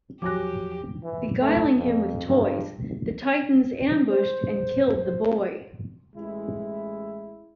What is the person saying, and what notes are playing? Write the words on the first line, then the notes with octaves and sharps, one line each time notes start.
Beguiling him with toys, the Titans ambushed and killed the boy.
E2 F3 F#3 G4 G#5 D6 F#6 A#6
E3
A3
F2
G2
C5
A1 G#3 E4